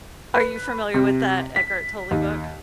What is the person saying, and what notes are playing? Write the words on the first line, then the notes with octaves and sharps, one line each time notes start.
are you familiar with that Eckhart Tolle book?
B4
C3
B6
D#2